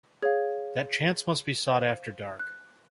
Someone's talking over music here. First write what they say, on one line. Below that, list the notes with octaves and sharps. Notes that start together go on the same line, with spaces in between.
That chance must be sought after dark.
G#4 C#5 F5 G#6
C5 F5 G6
F#6